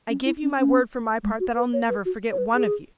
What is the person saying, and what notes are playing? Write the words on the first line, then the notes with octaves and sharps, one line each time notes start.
I give you my word for my part that I'll never forget one of you.
C#4
E4
C#4
C#4
G#3
F#4
B4
C#5
B4
F#4
C#5
B4
G#4